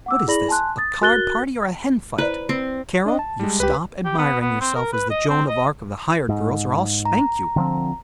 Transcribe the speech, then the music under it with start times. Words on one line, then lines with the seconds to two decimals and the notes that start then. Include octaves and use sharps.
What is this, a card party or a hen fight? Carol, you stop admiring yourself as the Joan of Arc of the hired girls, or I'll spank you.
0.06 F#5 D6 E6
0.28 E4 G#4 D5 B5 A#6 F#7
0.48 G#5 A5 C6 F#6
0.78 D#6 A6
1.01 F#4 A#4 F#6 A6 G7
2.18 E4 B4 C5 D5
2.49 C4
3.06 D4 D#5
3.19 A5
3.40 G3 G#3
3.60 C#2 G4 B4
4.05 G4
4.18 B3
4.41 B3
4.61 C4
4.75 A#4
4.92 B4
5.10 D#5
5.29 C4
5.49 D#5
6.29 G#2
7.05 A#5
7.56 D3 F3 C4